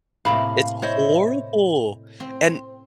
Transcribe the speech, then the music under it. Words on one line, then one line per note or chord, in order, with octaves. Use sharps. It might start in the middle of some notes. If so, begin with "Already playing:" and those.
It's horrible. And
A2 C3 A#3 F5 B5
E4 C5 C#5 D#5
C4